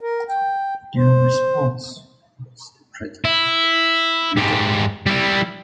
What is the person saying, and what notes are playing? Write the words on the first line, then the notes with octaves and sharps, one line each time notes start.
Their response was to threaten revolt.
A#4
G5
C5
E4
G#2 G3
G3 E4